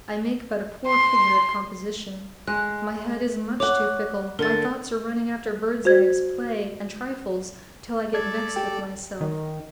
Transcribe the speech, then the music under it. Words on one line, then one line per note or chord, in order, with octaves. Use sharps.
I make but a poor figure at composition, my head is much too fickle, my thoughts are running after birds' eggs, play and trifles till I get vexed with myself.
C6
G#3 F#6
C#5 F#5 D6
D3 A#4 A6
F#4 C5 G#6
G#3 A4 D5 G#6
G4 G5
D#3